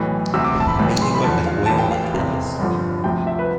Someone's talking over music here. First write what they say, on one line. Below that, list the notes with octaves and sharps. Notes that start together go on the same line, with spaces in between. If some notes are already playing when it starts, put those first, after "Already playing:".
He mainly worked with oil on canvas.
Already playing: B1 A2 E3
D2 C3 E3 E6
D6
A5
B5
B1 A2 E3 B5
C6
B5
E2 D3 F3 A5
F5
A1 A2 E3 A5
G5
F5
F1 E2 C3
G1 G2 D3 F3
D2 C3 F3 G5
E5
B4